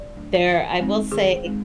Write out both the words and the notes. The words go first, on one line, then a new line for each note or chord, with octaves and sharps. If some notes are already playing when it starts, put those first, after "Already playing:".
There I will say
Already playing: D5
F#3 A3 D4
D#3
G#3 C4 D#4
D#3 G#4
G#3 C4 D#4